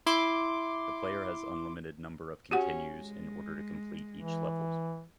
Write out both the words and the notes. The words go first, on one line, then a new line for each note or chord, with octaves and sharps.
The player has an unlimited number of continues in order to complete each level.
E4 C6 D6
C#4 F#4 G4 F#5
G#3
E3